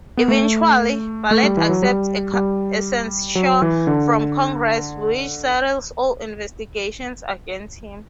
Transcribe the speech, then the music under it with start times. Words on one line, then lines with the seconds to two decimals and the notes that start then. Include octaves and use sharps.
Eventually, Bartlet accepts a censure from Congress, which settles all investigations against him.
0.17 B3
0.28 A3
1.31 A3
1.43 G3
1.57 E3
1.69 F#3
1.82 G3
2.33 G3
3.35 F#3
3.62 E3
3.87 D3